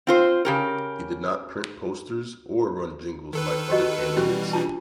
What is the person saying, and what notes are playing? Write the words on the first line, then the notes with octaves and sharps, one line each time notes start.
He did not print posters or run jingles like other candidates.
C4 F4 C5
C#3 G4 A#4
D#3 A4 B4
F#4 G4 D#5
B2 E3 G3 C#4 F#4 G4
D4 F4 A5